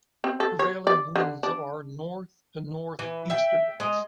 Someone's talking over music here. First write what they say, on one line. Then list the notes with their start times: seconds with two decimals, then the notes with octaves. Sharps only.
Prevailing winds are north to north-easterlies.
0.24 C4
0.40 A4
0.59 C#5
0.87 D5
1.16 D3
1.43 D4
2.99 E3
3.30 E5 G5
3.80 G#3 D#5